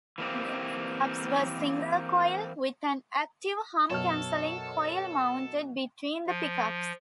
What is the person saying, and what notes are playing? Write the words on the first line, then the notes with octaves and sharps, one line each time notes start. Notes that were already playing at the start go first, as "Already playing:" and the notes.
The pickups were single-coil, with an active hum-cancelling coil mounted between the pickups.
E3 A#3 C4 G4
F#2 B2 A4 C#5 A5 F6
F3